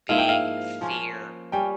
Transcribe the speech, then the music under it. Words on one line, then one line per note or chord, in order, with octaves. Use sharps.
big fear
G#2 F3 A#3 E4 F5
G5
F5
F3 A#3 C#4 F4
G3 C#4 G5